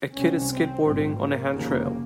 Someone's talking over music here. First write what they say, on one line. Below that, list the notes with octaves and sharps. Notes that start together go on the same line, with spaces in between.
A kid is skateboarding on a handrail.
C2 C3 C#4
C4
A#1 G#2 C4
A#3
F1 D#2 C#3 A#3